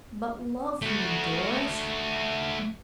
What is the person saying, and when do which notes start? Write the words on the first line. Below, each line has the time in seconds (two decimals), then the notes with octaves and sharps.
But love me, Doris.
0.82 A3 F#4